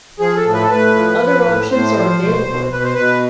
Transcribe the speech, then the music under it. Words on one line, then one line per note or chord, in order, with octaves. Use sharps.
Other options are available.
F3 G#4
A4
A2
B4
A4
A2 B4
F3
F3
A2
A2 C5
F3
B2
B2
B2 B4
C5
B2 B4